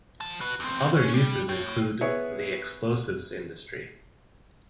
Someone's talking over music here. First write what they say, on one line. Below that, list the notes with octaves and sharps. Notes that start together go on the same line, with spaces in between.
Other uses include the explosives industry.
F3 A5
F#4 B4
E2 C4
C#4
G3
C#5 G5
B3 E4 G#4 C#5